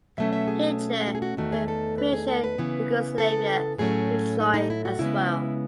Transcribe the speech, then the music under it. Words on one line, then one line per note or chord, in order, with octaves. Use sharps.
Hitler then pressured Yugoslavia to join as well.
B2 F#3 A3 C#4 E5
E5
G#4
F#4
G#4
F#4
E2 D#3 A3 F#4
G#4
A4
B4
G#4
A4
B4
C#3 E3 B3
A4
A2 F#3 A3 C#4 G#4
D#4
D#4
E4
F#4
C#3 G#3 B3 E4